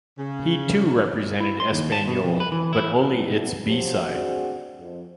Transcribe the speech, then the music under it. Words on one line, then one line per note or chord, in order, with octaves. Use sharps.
He too represented Espanyol, but only its B-side.
C#3
E4
C6
D#2
A5
B2
F2
B4
E3
E4
G3 B3 E4
F#2 C3 F3 F#3 G4
C4 D4 F#4 G#4 C5 D5
F2